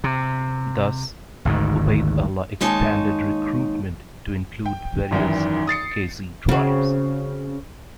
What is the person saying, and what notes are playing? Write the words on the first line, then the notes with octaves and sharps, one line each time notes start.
Thus, Ubayd Allah expanded recruitment to include various Qaysi tribes.
C3
G#1 D2 G#2 D#3
D#2 G#3 D#4 C#5 A5
G5
G#1 F#2 D#3 E3
D#6 A6 C7 C#7
C#3 C4 F#4